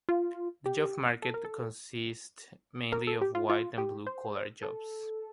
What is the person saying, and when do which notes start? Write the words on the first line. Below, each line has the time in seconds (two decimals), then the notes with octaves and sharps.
The job market here consists mainly of white- and blue-collar jobs.
0.09 F4
0.66 G4
1.22 A4
1.34 A#4
1.45 A4
2.92 A#4
3.07 A4
3.21 G4
3.35 F4
3.50 F4
3.78 G4
4.07 C5
4.63 A4